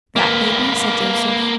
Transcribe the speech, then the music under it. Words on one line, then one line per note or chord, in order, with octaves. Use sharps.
"That they be," said Joseph.
A#3 B4